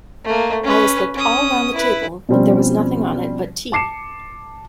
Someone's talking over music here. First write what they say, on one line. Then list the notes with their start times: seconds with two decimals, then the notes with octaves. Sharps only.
Alice looked all round the table, but there was nothing on it but tea.
0.24 A3 A#3
0.63 C#4 B4
1.14 C#4 D#6
1.74 E4 B4
2.29 B2 F3 G3 C4 C#4
3.72 A5 D6 C7 C#7 E7